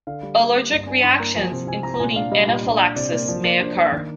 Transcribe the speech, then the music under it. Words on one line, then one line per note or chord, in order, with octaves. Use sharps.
Allergic reactions, including anaphylaxis, may occur.
D3 F5
G3
A#3
A#3
G2 D5
D4 G#5
G2 C6
A#3 A#5
F3 G#5
C3
C3 G#5
C3 A#5
A#5
A#2 G#5
D4 F5
G3 D#5
A#2
D4
D4
C3 D5
A#3 D5
F3 D5
A#3 D5
D4 C5
A#3 G5
D#3